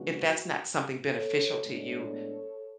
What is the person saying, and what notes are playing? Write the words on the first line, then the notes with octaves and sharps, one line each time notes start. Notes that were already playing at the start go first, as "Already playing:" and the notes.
if that's not something beneficial to you,
Already playing: C#3 E3 G#3 B3 D4 F#4
A4 C#5
A2 G#3 B3 D4 A4 C#5